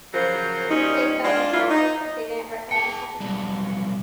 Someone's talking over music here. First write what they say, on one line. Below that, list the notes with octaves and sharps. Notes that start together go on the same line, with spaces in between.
He felt insulted that they didn't recognise him.
C#3 F3 F#3 A#4 C5
A#2 G3 C#4 D#4
G#3 D4 F4
F#3 E4 F4
D#4
G#4 G5 A5 C#7
B2 F#3 G3